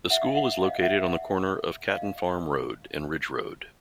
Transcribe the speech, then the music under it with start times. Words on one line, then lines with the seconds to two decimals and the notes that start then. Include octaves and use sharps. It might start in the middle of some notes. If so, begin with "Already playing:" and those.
The school is located on the corner of Caton Farm Road and Ridge Road.
0.10 E5 F#5
0.23 D#5 F5
0.35 E5 F#5
0.64 D#5 F5
0.83 E5 F#5
1.90 D#5 F5